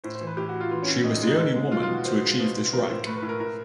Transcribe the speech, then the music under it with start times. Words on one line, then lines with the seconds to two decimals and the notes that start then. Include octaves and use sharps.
She was the only woman to achieve this rank.
0.04 A2 C5
0.15 C5
0.21 E3
0.27 B4
0.37 A2 G4
0.49 F#4
0.54 A2
0.61 F4
0.71 E3 F4
0.82 C#4
0.88 A2
1.04 A2 D#4
1.15 D#4
1.22 G#3
1.27 D#4
1.39 G#3
1.55 G#3
1.72 B2 F4
1.83 F4
1.88 B2
1.94 F#4
2.05 B2 C5
2.22 G#3
2.39 B2 C5
2.56 B2
2.72 F3 A#4
2.89 A2 C5
3.06 A3 B4
3.17 B4
3.22 A2
3.29 A#4
3.40 A2 A#4